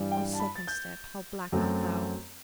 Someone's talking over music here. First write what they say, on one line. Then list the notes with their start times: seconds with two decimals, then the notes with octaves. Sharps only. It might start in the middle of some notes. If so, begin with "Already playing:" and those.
Oh, second step, how black art thou!
Already playing: G2 E3 G3
0.11 G5
0.33 A5
0.39 B5
0.55 A6
0.67 G6
1.52 F#2 F#3 A3 C4